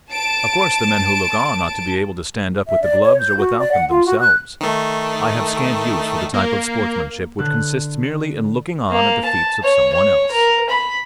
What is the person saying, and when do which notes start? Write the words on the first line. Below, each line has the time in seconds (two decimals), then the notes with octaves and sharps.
Of course the men who look on ought to be able to stand up with the gloves, or without them, themselves; I have scant use for the type of sportsmanship which consists merely in looking on at the feats of some one else.
0.13 A5 D7
2.67 E5
2.82 D5
3.03 C#5
3.19 G6
3.37 F#4
3.59 D5
3.72 F#5
3.89 F4
4.05 F#4
4.20 F#6
4.61 D#3 A3
6.34 A#3
7.38 D3 A4 F#6
8.90 A#3
9.25 A5
9.63 C#5
9.93 C#5
10.31 A#4
10.69 B5